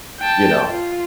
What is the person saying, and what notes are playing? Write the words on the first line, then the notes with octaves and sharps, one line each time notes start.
You know?
G5 A5
F4